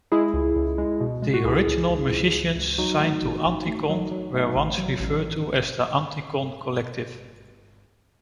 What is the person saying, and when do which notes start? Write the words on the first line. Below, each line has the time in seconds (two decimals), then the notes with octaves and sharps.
The original musicians signed to Anticon were once referred to as the Anticon collective.
0.12 G#3 E4 G#4
0.34 C#2
0.56 C#2
0.78 G#3
1.01 B2
1.22 G#3
1.34 F#4
1.45 C#2 E4 G#4
1.67 C#2
1.90 C#2
2.12 C#2
2.34 C#2
2.56 C#2
2.78 F#3 D#4 F#4
3.00 A3
3.22 A1
3.45 A1
3.67 A3
3.90 F#3
4.11 F#3
4.34 A3
4.56 A1
4.78 F#3
5.00 A1